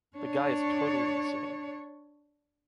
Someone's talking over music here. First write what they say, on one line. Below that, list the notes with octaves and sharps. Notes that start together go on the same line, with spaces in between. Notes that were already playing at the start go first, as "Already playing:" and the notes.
The guy is totally insane.
D4 C#5